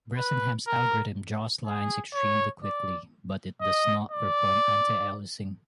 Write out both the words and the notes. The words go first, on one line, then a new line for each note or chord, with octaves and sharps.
Bresenham's algorithm draws lines extremely quickly, but it does not perform anti-aliasing.
B4
A#4
G#4
C#5
D5
D#5
D5